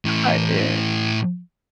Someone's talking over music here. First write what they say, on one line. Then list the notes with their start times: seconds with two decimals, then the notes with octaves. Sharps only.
I yeah.
0.05 A2 E3